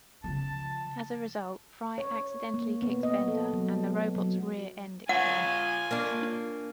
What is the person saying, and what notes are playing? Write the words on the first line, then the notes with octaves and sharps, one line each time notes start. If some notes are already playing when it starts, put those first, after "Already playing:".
As a result, Fry accidentally kicks Bender, and the robot's rear end explodes.
C#3 F3 A5
C#5
A#3
B3
D#5
A4
F#3
F#3
F4 C#5 F#5 G#5
A#3 D4